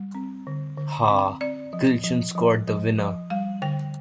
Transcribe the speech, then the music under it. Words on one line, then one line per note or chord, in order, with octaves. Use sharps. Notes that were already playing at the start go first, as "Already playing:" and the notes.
Hugh Gilshan scored the winner.
Already playing: G3
C4
D3
D3
C4
C4 D5
F3
F3
F3
F3
F3
G3 F5
D3 G5